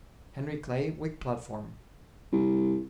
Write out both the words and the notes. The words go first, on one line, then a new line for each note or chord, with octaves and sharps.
Henry Clay, Whig platform.
C2